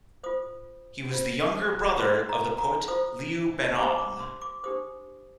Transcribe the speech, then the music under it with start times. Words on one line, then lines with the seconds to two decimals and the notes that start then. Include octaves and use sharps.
He was the younger brother of the poet Liu Bannong.
0.23 F4 C5 D#6
1.11 F4 C5
1.99 F4 C5 C6
2.29 A#5
2.58 A#5
2.88 F4 C5 D#6
3.76 D4 G4 C5 D6
3.98 D6
4.20 C6
4.42 D6
4.64 D4 G4 C5 D#6